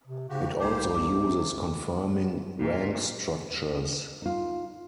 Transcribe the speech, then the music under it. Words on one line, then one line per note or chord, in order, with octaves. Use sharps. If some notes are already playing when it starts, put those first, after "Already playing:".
It also uses conforming rank structures.
C3
G#2 C#3 F#4 G4
C2 A#3 D#4 G4 C5 D6
C3 D6
A#2
D#4 F4